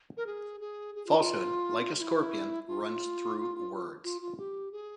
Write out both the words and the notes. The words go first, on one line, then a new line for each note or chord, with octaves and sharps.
Falsehood, like a scorpion, runs through words.
A#4
G#4
G#4
G#4
F4
F4
F4
E4
F4
F4
F4
G4
G#4